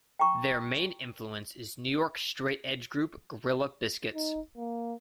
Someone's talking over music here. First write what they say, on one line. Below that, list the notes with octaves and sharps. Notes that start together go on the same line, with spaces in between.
Their main influence is New York straight edge group Gorilla Biscuits.
G5 A#5 C#6
D#4
A#3